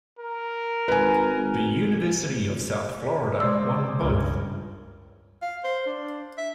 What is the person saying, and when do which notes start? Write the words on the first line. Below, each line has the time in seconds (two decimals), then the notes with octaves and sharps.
The University of South Florida won both.
0.19 A#4
0.88 G#1 B4 G#5
1.37 G#1
3.40 G#3 C5 D5 C6 E6
4.01 C#2 G2 A#4
5.42 F5
5.64 C5
5.86 D4
6.38 E5